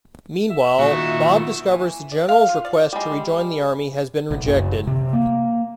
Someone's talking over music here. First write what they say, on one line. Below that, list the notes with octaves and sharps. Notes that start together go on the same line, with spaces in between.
Meanwhile, Bob discovers the General's request to rejoin the army has been rejected.
E5
A#2 D#3 F#4
E3
D5
F5
F4
D5
G3 G#3
B1
F#1
C3
A#3